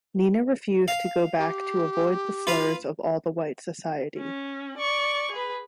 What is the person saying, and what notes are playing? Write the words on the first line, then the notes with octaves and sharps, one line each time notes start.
Nina refused to go back to avoid the slurs of all the white society.
F5
G4
F4 B4 F5
C#4
D5 C#6
G#4 B4